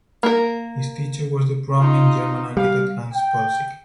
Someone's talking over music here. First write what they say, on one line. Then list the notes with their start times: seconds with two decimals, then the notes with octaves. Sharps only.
His teacher was the prominent German architect Hans Poelzig.
0.23 A#3 A#4
1.78 D#4 F4
2.57 G3 F5
3.13 G5